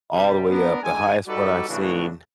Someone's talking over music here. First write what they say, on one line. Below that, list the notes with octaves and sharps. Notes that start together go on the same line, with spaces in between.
all the way up the highest one I've seen
C3 G3
B3 D4 A#4
D3 D#3 G#3 G#5
G3 D#4 F#4 A4 B4 D5
A2 C#3 E3 D4 F#4